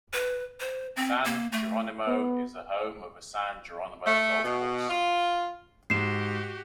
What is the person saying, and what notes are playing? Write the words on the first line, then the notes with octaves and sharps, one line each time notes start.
San Geronimo is the home of the San Geronimo Golf Course.
B4
C5
C4
A#3
A3
B3
A3
B2
F4
G#2 F#4 G4 C7 E7